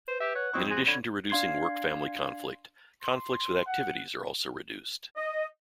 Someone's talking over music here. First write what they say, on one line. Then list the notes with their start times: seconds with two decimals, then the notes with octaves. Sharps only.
In addition to reducing work-family conflict, conflicts with activities are also reduced.
0.08 B4 C5
0.21 G4 E5
0.35 C#5 F#5
0.53 F2 C4 E4 C#6 D#6
0.71 F#4 G#4 C6
0.86 D3 C#5 B5
1.30 D4 F5 C6 G#6 C7
3.03 C6
3.66 F#5
5.16 D#5